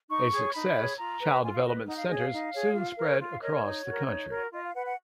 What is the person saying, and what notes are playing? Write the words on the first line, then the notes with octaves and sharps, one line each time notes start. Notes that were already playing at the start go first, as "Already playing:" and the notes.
A success, Child Development Centers soon spread across the country.
D#4 C#6
G#4 C#5
D#4 B5
G#4 C#5
F4 A#5
B4
F4 G#5
F5
B4 D#5
D#4 F#5
F5
G#4 C#5 D#5
F5
D#4
G#4 C#5
F4
A#4 C#5
F4
F5
A#4 C#5 D#5
C#5
D#4
F#4 A#4
D#4
F#4 A#4
F4 D#5
F5
B4 F#5
F#5